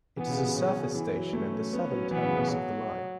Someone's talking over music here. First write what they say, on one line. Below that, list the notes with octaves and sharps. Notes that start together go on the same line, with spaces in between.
It is a surface station and the southern terminus of the line.
E3 B3
C#3
B2
B2 C#4
C#3
E3 E4
F#3
A3 C#4
B3
F#3
E3 B3
C#3
B2
F#3